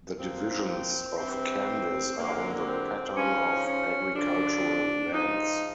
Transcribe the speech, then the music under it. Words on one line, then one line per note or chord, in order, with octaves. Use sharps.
The divisions of Kandis are on the pattern of agricultural lands.
A#2 F3 C4
C4
G2 E3 C4
G2 D3 F#3 A#3
C4
G#2 F3 C#4
C#4
F#2 D3 F3 D4
G#2 F3 D#4